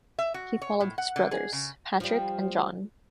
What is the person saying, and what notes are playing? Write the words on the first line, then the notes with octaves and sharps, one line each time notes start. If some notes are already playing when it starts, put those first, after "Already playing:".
He followed his brothers, Patrick and John.
E5
F#4
C#5
A2
F#5
D3
G#4
C#3
F3 G3